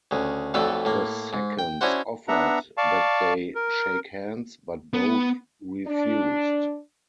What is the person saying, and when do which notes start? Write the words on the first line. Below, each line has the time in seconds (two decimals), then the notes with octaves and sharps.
The seconds offered that they shake hands, but both refused.
0.11 D2 C#3
0.54 B1 F2 B2 A3 A4 D5
0.85 A2 A#3
1.33 G#2
1.59 G5
1.81 C#4 D4 E4 F#4 C5 F#5
2.28 B3 D4 E5 F#5 A#5
2.77 D5 F5 A5 C#6
3.55 A#4
4.94 B3
5.87 D4